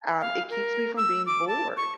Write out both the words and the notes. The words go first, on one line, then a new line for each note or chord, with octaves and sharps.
um, it keeps me from being bored.
F5
A#4
E6
D6
A5
C#6